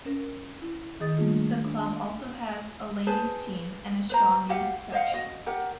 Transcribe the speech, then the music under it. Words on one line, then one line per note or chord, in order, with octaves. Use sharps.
The club also has a ladies team and a strong youth section.
C#4 A#4
E4
D#3 G#4 D#5 D#6 A6
G3 A3 A#3 D4 F4 G#4
D4
A5 C6
G#4 B4 C5 A5
B4 C5 A#5
F#4 G4 F5 F#5
C5 D#5 F5 F#5
F#4 D#5
G4 A#4 F#5